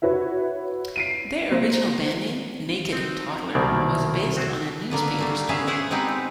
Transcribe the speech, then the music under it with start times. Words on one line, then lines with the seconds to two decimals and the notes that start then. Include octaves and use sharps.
Their original band name, "Naked Toddler," was based on a newspaper story.
0.02 E4 F#4 B4 C#5
0.96 C7 D7 D#7
1.51 A#3 C5 A#6
2.92 C4 D#4 F#4
3.55 C2 B2 D#3 F#3 A#3 D5
4.37 C4 F#4 G#4 A4
4.90 D3 A#3 B3 B4
5.19 G3 A3 A#3
5.49 B3 C#4 F4 G#4 E5 F5
5.67 E4 G#4 C5 F#5
5.91 G#3 B3 C4 D#4 G4 B4